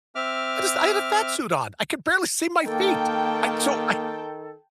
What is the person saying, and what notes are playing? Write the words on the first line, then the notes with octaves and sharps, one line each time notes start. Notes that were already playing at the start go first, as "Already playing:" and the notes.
I just I had a fat suit on, I could barely see my feet. I so I
C4 E5 D6 F6
D#3 A#3 A4 G5 A5